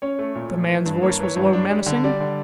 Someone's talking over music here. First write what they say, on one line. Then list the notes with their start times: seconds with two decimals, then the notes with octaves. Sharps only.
The man's voice was low, menacing.
0.02 C#4 C#5
0.19 A3
0.36 A#2
0.52 A3
0.69 E3
0.86 G2
1.03 A#3 C#5
1.20 E3 C#5
1.36 G2
1.53 D4
1.71 G3
1.86 D3
2.04 G3 D5
2.20 D3